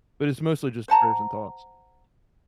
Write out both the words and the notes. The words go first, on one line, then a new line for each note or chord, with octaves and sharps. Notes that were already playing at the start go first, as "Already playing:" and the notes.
But it's mostly just prayers and thoughts.
C5 F#5 A5 A#5